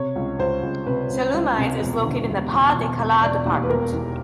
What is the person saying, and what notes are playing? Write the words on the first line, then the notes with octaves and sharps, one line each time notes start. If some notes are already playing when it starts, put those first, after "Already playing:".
Sallaumines is located in the Pas-de-Calais department.
Already playing: C3 C#5
C#2
C#2 C5
C#2
C3 B4
C#2
C#2
C3
E1
D3
E1
E1
E1
E1
E1 D5
D#2
B4
E1 A#4
E2